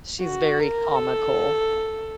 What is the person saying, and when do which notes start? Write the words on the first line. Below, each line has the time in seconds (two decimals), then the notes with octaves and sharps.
She's very comical,
0.22 F#4
0.59 A#4
0.95 A4